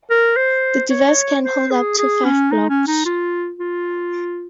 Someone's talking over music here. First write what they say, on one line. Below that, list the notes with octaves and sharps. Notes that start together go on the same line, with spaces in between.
The device can hold up to five blocks.
A#4
C5
C#5
C5
G#4
G#4
C#4
D#4
C#4
D#4
F4
F4